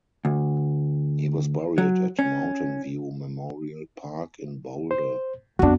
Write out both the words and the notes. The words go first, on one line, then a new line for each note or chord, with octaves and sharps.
He was buried at Mountain View Memorial Park in Boulder.
D2
F#3
C#4
C5
F2 B3 D4 F#4